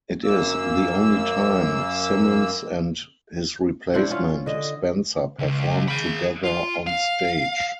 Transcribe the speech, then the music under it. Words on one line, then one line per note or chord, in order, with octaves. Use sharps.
It is the only time Symons and his replacement, Spencer performed together on stage.
F#2 A#3 E6
D4 E4 C5 F#5
C#4 F4
D3 D#5
C#2
G#4 B5
F4
F5